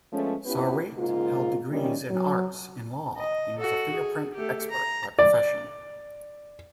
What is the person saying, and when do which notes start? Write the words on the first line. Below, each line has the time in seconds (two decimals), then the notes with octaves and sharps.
Sarwate held degrees in arts and law and was a fingerprint expert by profession.
0.12 F3 G#3 A3 B3 C#4
0.46 B3 C#4 E4 F4 G4 B4
0.98 G#2 C#3 A#3 F4
1.70 C3 D#3 G3 A#3 C#4
2.10 F#3
3.17 D#5
3.59 F#4 A4
3.92 G#4
4.34 A3 G4
4.70 A#5
5.19 D5